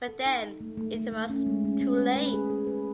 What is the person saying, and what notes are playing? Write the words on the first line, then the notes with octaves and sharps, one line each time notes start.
But then it was too late.
A4
D#4
D#4
A3
A3
A3
A3
C#4
G#3
C#4
C#4
B4
B4
G#4
B4
B4